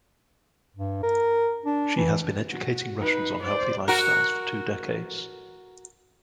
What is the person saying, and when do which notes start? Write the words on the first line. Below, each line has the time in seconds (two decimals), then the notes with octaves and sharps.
She has been educating Russians on healthy lifestyles for two decades.
0.77 G2
1.03 A#4
1.66 D4
1.97 E3
2.49 F#4
3.00 D#4 B4
3.43 C5 D5
3.88 F#4 A#4